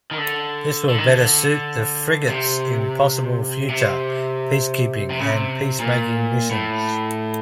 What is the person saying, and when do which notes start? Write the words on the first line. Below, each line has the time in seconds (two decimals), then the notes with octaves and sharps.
This will better suit the frigates in possible future peacekeeping and peacemaking missions.
0.11 D#3
0.18 D3
0.89 D3
0.98 D#3
1.07 D3
2.29 C3
3.69 C3
5.10 C3
5.20 C#3
5.30 C3
5.79 A#2
6.50 A2